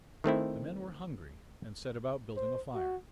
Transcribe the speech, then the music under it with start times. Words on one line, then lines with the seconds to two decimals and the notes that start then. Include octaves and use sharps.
The men were hungry and set about building a fire.
0.24 D#3 A3 C4 E4
2.36 C5
2.75 F#4